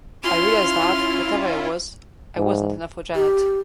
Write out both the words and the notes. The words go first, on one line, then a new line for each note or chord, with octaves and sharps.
I realized that whatever I was, I wasn't enough for Janet.
C#4 E4 F4 C6 F6
G#2
G4